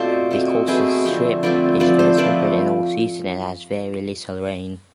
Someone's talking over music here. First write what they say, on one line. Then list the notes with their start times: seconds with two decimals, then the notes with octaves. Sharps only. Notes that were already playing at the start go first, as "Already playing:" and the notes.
The coastal strip is very temperate in all seasons and has very little rain.
Already playing: B2 A3 C4 F4 A4 C5 D5
0.31 B2 A3 C4
0.67 B2 A3 C4 G#4 B4
1.05 D3 F3 A3 C4
1.43 D3 F3 A3 C4 B4 D5
1.80 D3 F3 A3 C4 B4 D5
1.99 A4 C5
2.17 D3 F3 A3 C4 B4 D5